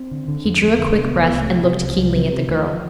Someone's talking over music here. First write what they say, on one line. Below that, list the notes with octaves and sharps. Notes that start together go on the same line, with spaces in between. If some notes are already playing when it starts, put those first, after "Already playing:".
He drew a quick breath and looked keenly at the girl.
Already playing: C4
D3
D3
F2
F2
D3
C3 B3
C2
B3
C2
A3
C3
C3 F3
G3
C2 F3
C2
C3
C3
D2